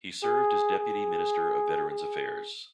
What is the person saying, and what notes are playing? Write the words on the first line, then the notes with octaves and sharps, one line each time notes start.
He served as Deputy Minister of Veterans' Affairs.
G#4
G#4
G#4